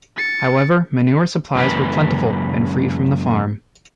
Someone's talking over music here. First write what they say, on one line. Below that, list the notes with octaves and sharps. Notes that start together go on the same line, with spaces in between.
However, manure supplies were plentiful and free from the farm.
A6 C#7
F#2 C#3 E3 G#3 A#3 B4